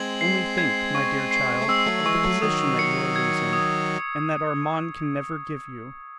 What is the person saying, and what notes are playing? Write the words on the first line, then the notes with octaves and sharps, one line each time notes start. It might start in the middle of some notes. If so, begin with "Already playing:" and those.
Only think, my dear child, of the position that you are losing, and that Armand can never give you.
Already playing: G#3 C4 G#6 F#7
C7
G#6
C#6
C7
A3
G#3 C4 E6
F#3 A3
E3 G#3 C#6
F#3 A3
D#3 F#3 D#6
C#7
G#6
D#6